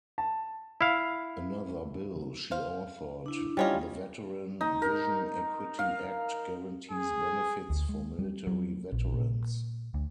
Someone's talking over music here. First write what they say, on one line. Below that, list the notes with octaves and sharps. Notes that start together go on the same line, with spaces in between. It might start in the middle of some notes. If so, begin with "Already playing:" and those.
Another bill she authored, the Veteran Vision Equity Act, guarantees benefits for military veterans.
A5
E4 F5
C5 F5
D4 E4
F#3 G3 C#4 F4 C#5 D#5
D#4
A#4
F5
G#4
D2
G#3
G3
F#3
A#1
A#2
D2